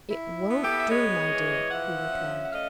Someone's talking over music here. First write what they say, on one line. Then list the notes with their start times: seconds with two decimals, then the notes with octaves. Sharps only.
"It won't do, my dear," he replied.
0.09 E4
0.50 B3
0.63 G4 A4
0.79 E5
0.90 G#3 C#5 D#5
1.31 E3
1.71 F3 E5 F#5
2.11 C#4
2.44 F#5
2.52 A3 D#5 F5